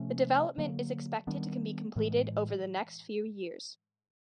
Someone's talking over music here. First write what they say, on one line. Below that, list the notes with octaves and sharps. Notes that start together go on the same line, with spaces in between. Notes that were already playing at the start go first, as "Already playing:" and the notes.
The development is expected to be completed over the next few years.
Already playing: C3 F3 A3 C#4
D3 F#3 A#3
D#3 G3 B3 D4
A2 E3 G#3